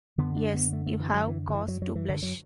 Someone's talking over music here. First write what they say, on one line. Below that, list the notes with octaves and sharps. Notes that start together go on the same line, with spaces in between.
Yes; you have cause to blush.
F#2 D3 B3
D4
B3
A3
A3
E3
F#3
E3
D3
E3
F#3
F#3
E3
D3
F#3